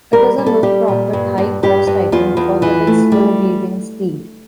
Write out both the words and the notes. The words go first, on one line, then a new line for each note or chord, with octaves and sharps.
It is a low-profit, high-cost item because of its slow weaving speed.
G3 A#4
G3
A4
G3 G4
A#2
G2
G2
G2 G4
G2
E2 F4
E2
E3
A3
G3